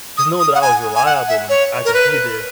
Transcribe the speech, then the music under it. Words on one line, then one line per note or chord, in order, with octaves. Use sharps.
just knowing that I was reliable and I could be there,
D#6
D#6
F#5
G#5
G#5
F#5
E5
C#5
A#4
B4